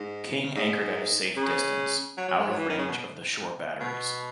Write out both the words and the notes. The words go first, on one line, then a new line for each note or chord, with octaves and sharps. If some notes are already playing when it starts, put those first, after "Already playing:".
King anchored at a safe distance, out of range of the shore batteries.
Already playing: G#2
G#2
C#3
F#3
F#3
G#3
F#3
E3
D#3
C#3
B2
B2